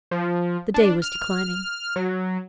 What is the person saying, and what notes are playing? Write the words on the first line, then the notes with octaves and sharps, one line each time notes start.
The day was declining.
F3
D4
F6
F#3